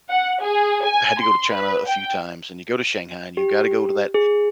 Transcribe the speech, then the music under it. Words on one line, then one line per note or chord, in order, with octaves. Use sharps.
I had to go to China a few times, and you go to Shanghai, and you gotta go to that
F#5
G#4
G#5
C6
B4
G5
G4
G#4